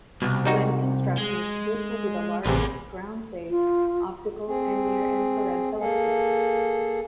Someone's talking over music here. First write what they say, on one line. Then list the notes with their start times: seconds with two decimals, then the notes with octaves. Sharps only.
When constructed this will be the largest ground-based optical and near-infrared telescope.
0.22 C2 B2
0.45 G3 D#4 F#4
1.18 G#3
2.46 A1 C3 G#4 B4
3.50 F4
4.46 C4 G#4
5.79 A#3 G#4 A4